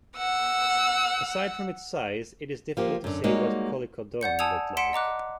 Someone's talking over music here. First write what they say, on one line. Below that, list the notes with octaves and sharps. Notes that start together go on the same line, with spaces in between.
Aside from its size, it is difficult to say what "Kollikodon" looked like.
F#5 E6
F3 A#3 G4
F#2 D3
G3 G#3 A#3 D#4 F#4 C#5
D5 F#5 G6 C#7
G#5 A5 D#6 E6 G#6 F7
F#5 C6 B6 C#7 D7 E7
D#5 A#5 D6 F#6